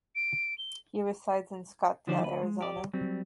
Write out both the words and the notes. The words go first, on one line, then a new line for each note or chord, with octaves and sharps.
He resides in Scottsdale, Arizona.
D7
G7
D3 F3 G3 D#4 C5 D5
D2 B4
G#3
G4 D5
F#3 G3 C4